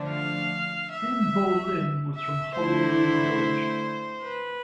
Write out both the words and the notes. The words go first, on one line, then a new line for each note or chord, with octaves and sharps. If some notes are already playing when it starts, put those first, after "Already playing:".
Dinh Bo Linh was from Hoa Lu village.
Already playing: D3 F3 A3 D4
F5
E5
E5
D3 A3 E4 C5
B4